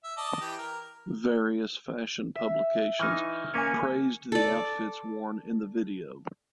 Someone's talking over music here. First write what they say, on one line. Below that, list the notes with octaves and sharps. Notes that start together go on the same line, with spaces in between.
Various fashion publications praised the outfits worn in the video.
E5
D5 D#5 A5
E3 G4
A#4
E5
E3 D#4 C#6 F6 A6
A#3 C#4 C#5 G#5 C#7 D#7
A4 D5